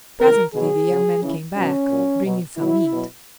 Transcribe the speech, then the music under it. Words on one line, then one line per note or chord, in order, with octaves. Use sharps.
Presently the young man came back, bringing some meat.
C#3 E3 A#4
B2 F#3 G#4
C#3 F#3
C#3 E3
B2 F#3 C#4
A#2 F#3
B2 F#3
B2 F#3 E4
B2 F#3